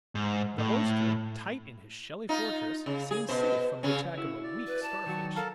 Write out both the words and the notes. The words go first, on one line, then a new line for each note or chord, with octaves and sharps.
The oyster, tight in his shelly fortress, seems safe from the attack of a weak Starfish.
G#2
A2
D#4 F4
C#3
G#4
B2 C5
C#3 C#4
E4 F#4
D5
B4
A5
D#3 F#3 F#4
A4 A#4 F5 A5